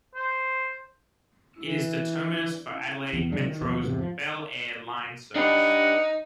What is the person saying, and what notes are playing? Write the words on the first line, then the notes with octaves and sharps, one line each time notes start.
It is the terminus for Adelaide Metro's Belair line service.
C5
E3
E2
C3 F#3 G#3 D4
D#3
D#2 B2 F3 B3
E2 G#2 C3
F3
D4 D#4 G4 B4 F#5